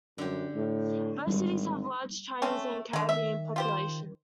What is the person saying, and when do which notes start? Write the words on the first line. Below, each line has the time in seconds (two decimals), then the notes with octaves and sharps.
Both cities have large Chinese and Caribbean populations.
0.18 F#2 D3 G4
0.54 A2
1.27 G#1 G3 D4
2.42 A3 C4 C#4
2.93 D3 D#3 G#3
3.09 E5
3.56 F4 G4 C5